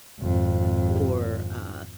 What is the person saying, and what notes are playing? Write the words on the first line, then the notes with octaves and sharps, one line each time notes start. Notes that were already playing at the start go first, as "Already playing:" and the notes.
or, uh
G#1 F2